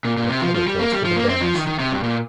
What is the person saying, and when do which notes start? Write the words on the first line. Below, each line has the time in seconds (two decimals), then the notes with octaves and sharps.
There were color codes for the banners.
0.05 A#2
0.17 A#2
0.29 C3
0.42 F3
0.55 F3
0.67 G3
0.79 A#3
0.92 G3
1.05 F3
1.16 A#3
1.29 C4
1.42 F3
1.54 D#3
1.67 D#3
1.79 C3
1.92 G2
2.03 A#2